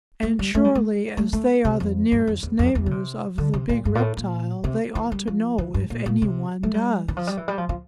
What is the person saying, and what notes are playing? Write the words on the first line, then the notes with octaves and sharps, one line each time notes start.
And surely, as they are the nearest neighbors of the big reptile they ought to know if any one does.
A3
G3
A3
G3
A3
A3
A3
C3
F2
G2
F2
E2
F2
E2
D3
C3
D3
C3
A#2
G2
A#2
A2
A#2
C3
E3
G3
F3
E3
G2
A#2
A#2
C3
A3
G3
E3
F3
G3
E3
G3
F3
F3